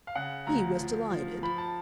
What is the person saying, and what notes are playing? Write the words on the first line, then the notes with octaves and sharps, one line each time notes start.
He was delighted.
F5
C#3 F#5
D2 A#5
F3
F3
F3 B5
A5